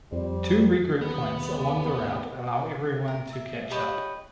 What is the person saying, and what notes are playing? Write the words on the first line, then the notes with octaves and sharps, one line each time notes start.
Two regroup points along the route allow everyone to catch up.
F2 G3 C4
D#2 B3
A#4
E5
G4 B4 C#5 D#5